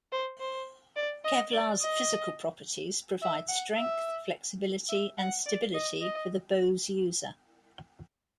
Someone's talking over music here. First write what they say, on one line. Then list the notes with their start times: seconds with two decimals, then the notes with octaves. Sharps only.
Kevlar's physical properties provide strength, flexibility, and stability for the bow's user.
0.12 C5
0.40 C5
0.96 D5
1.24 D#5
1.53 D5
1.81 D#5
3.22 E5
3.49 F#5
3.77 E5
4.89 E5
5.18 F#5
5.46 D5
5.73 D#5
6.01 D#5